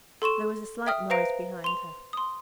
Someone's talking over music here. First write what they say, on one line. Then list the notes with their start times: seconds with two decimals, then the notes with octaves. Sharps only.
There was a slight noise behind her.
0.22 A4 C6 C#6 E7
0.86 E5 G5 D#6 F6
1.10 B4 C5 F5 A#5 A#6 D7
1.64 C6 F7
2.13 C6 D#6